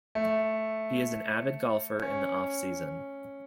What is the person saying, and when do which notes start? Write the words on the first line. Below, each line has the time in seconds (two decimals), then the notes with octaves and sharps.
He is an avid golfer in the off season.
0.15 A3
2.02 C#4